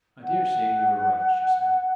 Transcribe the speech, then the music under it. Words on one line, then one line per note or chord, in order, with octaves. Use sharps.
"I daresay you are right," she said.
F#5